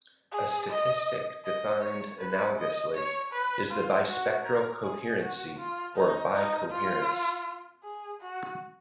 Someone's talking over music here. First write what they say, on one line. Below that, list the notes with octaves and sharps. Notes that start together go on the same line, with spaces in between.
A statistic defined analogously is the "bispectral coherency" or "bicoherence".
G#4
D#5
D#5
C#5
B4
D#5
C#5
B4
F4
F#4
A#4
G#4
F#4
F4
D#4
D#4
F4
G#4
F#4